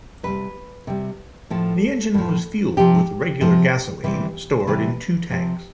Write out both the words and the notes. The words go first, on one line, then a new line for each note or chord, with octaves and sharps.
The engine was fueled with regular gasoline stored in two tanks.
C3 G3 B4
C3 G3
A2 F3 A4
A2 F3
C3 F3 G4
C3 F3
C3 E3 G3
C5
C3 E3 G3 B4
C3 F3